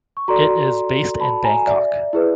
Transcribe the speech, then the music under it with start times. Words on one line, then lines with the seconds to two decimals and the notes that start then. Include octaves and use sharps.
It is based in Bangkok.
0.17 C#6
0.28 F#4 A4 D5 A#5 C6
1.20 A5 B5
1.44 G#5 A#5
1.67 D5 E5
2.13 E4 G#4 B4